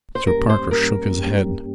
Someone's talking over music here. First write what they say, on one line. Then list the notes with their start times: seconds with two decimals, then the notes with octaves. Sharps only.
Mr. Parker shook his head.
0.15 C5
0.26 G2 G3 A#3 C#4 G4 A#4
0.50 C5
0.71 G2 G3 A#3 C#4 G4 A#4
1.17 G2 G3 A#3 C#4 G4